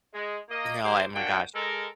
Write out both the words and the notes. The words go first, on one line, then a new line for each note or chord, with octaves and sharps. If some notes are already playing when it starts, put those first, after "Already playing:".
No, I my gosh,
G#3
A#3 D#5
A#3 G4 C5
A#3 D4 F4 F#4 F#5 G5
G#3 A4 A#4